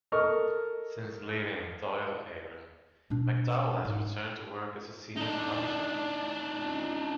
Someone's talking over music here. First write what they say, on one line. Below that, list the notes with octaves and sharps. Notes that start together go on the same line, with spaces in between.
Since leaving Dáil Éireann, McDowell has returned to work as a Senior Counsel.
A4 A#4 D#5 C#6 F6
B2 D4
G#2
D4 D#4